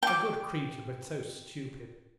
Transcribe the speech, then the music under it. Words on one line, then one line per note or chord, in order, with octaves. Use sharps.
A good creature, but so stupid!
G5 D6